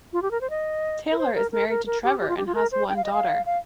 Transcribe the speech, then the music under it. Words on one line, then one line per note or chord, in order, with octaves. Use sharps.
Taylor is married to Trevor and has one daughter.
F4
G4
A#4
C5
D#5
A#4
C5
A#4
A#4
A#4
A#4
G4
G4
F4
G4
F4
A#4
C5
G5
F5
D#5
F5
F5